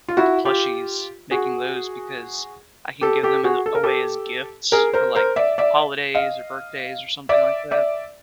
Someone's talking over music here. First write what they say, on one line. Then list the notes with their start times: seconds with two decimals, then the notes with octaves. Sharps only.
the plushies, making those, because I can give them a away as gifts for, like, holidays, or birthdays, or something like that.
0.08 F4
0.17 E4 F#4
0.45 F4 G4
1.31 F#4 G#4
3.01 G4 A4
3.23 G4 A4
3.44 F#4 G#4
3.66 A4
3.75 A#4
3.83 G4 A4
4.72 G#4 A#4
4.93 A#4 C5
5.15 A#4 C5
5.36 D5 E5
5.58 D5 E5
6.15 D#5 F5
7.29 D5 E5
7.71 D5 E5